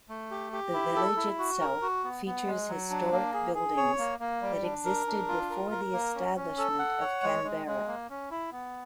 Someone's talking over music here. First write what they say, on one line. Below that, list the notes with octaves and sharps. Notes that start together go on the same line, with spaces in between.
The village itself features historic buildings that existed before the establishment of Canberra.
A3
G4
G4
E4
A4
E4
F#4
A#4
F#4
B3
B3
G#3
F#3
D4
A#3
G#4
G#4
C#5
A#3
A#3
G3
D4
A#4
D4
F4
A#4
A#4
A#3
C#4
C#4
A4
F#5
C#5
G#3
G#3
G#3
A#3
C#4
E4
B3